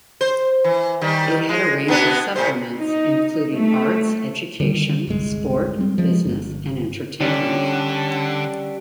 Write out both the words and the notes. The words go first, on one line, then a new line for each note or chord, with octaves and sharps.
It had a range of supplements, including Arts, Education, Sport, Business and Entertainment.
C5
E3
D#3 G3
G#3
B2 B3 D4
A2 C3 C5
D#4
A3
D3 D#3 G3
G1 C2 G#3
G3 C4
F3 G#3
G1
D3 G3 C#4